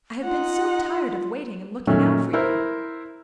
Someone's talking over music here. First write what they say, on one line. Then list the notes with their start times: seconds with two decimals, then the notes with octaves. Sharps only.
I have been so tired of waiting and looking out for you.
0.23 D#4 F4 F#5
1.87 A#2 D#3 F#3 A3 C#4
2.33 E4 A#4 C5